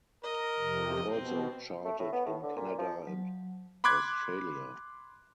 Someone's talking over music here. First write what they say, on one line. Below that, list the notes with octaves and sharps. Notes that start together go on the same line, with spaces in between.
It also charted in Canada and Australia.
A#4 D#5
F2 C3
B2 C4
A3
A2
B3
A2
D3
A#2
F3
F#3
B5 C6 D6 F#6 G#6